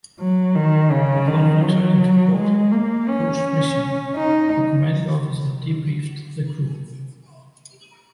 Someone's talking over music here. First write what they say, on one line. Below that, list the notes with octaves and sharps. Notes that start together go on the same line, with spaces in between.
Upon returning to port post-mission, the Commanding Officer debriefed the crew.
F#3
D#3
C#3
D#3
F#3
G#3
A#3
C#4
D#4